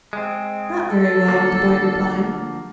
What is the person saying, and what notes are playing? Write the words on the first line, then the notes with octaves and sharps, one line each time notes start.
"Not very well," the boy replied.
G#3 C4
A4
D3 F3 A#3